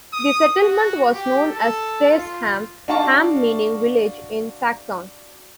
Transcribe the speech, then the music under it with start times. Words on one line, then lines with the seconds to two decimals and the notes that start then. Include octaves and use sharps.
The settlement was known as "Taceham" - "ham" meaning village in Saxon.
0.13 D#6
0.62 F#4
1.13 G4
1.45 A4
2.12 F4
2.88 D4 F#4 D5 F5 A5 C#6